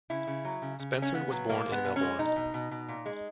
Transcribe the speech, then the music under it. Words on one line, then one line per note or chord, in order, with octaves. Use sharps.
Spencer was born in Melbourne.
C#3 E4
C#3
F#3
C#3
C#3
C#3
C#4
C#3 B3
F#3
B2 A#3
G#3
B3
B2
C#4
G#3
B2 D#4
B2
B2
B2
A#2
G#3